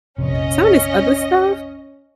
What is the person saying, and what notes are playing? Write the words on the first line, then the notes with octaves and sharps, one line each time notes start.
some of this other stuff
A#1 F2 C3 C#4 D#5